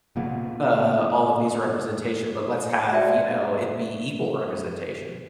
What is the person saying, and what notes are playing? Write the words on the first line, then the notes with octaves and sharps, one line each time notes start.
uh, all of these representation, but let's have, you know, it be equal representation.
A#2 C#3 A#3 B3
F#4 D5 E5 G5 G#5